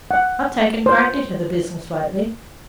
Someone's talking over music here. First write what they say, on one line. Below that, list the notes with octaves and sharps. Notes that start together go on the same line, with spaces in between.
I've taken greatly to the business lately.
F#5
C5